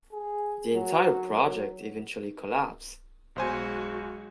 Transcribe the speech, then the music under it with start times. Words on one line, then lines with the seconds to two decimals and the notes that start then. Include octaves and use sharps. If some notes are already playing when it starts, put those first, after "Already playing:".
The entire project eventually collapsed.
0.12 G#4
0.75 F#3
1.41 F#3
3.36 B1 G#3 F#4 C5 G#5